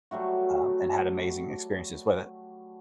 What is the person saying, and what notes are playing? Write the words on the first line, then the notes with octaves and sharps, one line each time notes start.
um, and had amazing experiences with it.
F#3 G3 A3 F#4